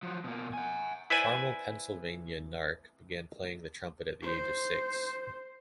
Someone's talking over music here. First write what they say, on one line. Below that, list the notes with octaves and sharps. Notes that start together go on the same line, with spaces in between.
Carmel, Pennsylvania, Nark began playing the trumpet at the age of six.
F3 F#3
B2 A#3
F#5 G#5
E4 B4 C5 D5 G#5
C5